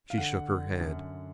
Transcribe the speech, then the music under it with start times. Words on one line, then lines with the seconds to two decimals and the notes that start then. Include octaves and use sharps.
She shook her head.
0.10 F5
0.18 D3 F#5
0.50 D3
0.80 F#2